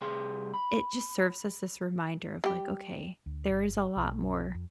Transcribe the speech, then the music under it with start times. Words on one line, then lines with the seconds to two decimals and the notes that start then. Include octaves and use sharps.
it just serves as this reminder of, like, "Okay, there is a lot more
0.01 C2 C3 G3 G#4 G5 C6
0.54 B5
2.44 G3 G4
3.26 D2
3.50 G1
3.96 B1
4.55 F2